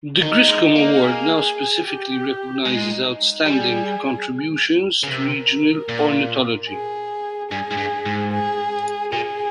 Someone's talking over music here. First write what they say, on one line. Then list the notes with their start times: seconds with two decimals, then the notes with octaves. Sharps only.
The Griscom Award now specifically recognizes outstanding contributions to regional ornithology.
0.22 D#3 D#4
0.49 G#3
0.76 A#3
1.03 G#4
1.84 G4
2.65 G#3 D#4
3.46 G3 G#4
5.03 C#3
5.07 C3 A#4
5.89 A#2
6.69 G#4
7.51 G2 G#4
7.71 G#2
7.77 G2
8.06 G#2
8.32 G#4
9.12 A#2 G#4